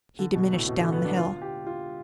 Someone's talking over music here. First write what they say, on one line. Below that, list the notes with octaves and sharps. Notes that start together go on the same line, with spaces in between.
He diminished down the hill.
D3
B2
A2
B2
D3
B3
D4
F4
G4
F4